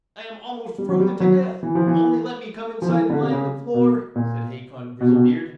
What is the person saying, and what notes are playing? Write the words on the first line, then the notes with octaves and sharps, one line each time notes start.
I'm almost frozen to death; only let me come inside and lie on the floor', said Hacon Grizzlebeard.
G3
F#3
G3
F#3
E3
F3
E3
F3
E3
D3
C3
C#3
B2
A#2
B2
C3
B2